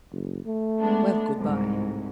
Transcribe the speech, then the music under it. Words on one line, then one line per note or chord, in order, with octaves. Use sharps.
Well, good-by.
F#1
A3
G#3 B3 D4
C2 G#2
A2